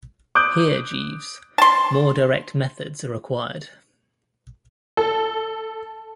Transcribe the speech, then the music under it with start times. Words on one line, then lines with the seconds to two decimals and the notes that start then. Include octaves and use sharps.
Here, Jeeves, more direct methods are required.
0.35 D6 D#6 F#6 G6 D7
1.58 A5 C6
4.97 A4